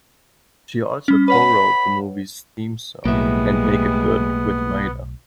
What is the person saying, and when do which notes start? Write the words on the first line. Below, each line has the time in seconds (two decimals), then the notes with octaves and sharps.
She also co-wrote the movie's theme song, "Can't Make it Good", with Maida.
1.08 G3 C#4
1.28 B4 C#5 F#5 B5
3.05 B1 A2 G3 G#3 A#3 B3 E5